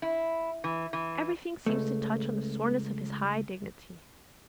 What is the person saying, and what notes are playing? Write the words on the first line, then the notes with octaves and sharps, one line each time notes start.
Everything seems to touch on the soreness of his high dignity.
E4
E3
E3
C#2 F#2 A3